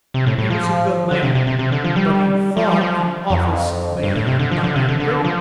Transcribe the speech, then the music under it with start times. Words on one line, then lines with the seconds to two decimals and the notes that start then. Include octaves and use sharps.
He was a good man, but he thought an office made a man great.
0.14 C3
0.27 A2
0.38 A2
0.50 F3
1.11 D3
1.23 C3
1.35 C3
1.47 C3
1.59 C3
1.72 D3
1.84 F3
1.96 G3
2.57 F3
2.71 G3
2.81 F3
3.30 F2
4.03 G2
4.16 A2
4.27 C3
4.39 D3
4.51 F3
4.64 D3
4.76 C3
4.89 D3
5.00 D3
5.24 F3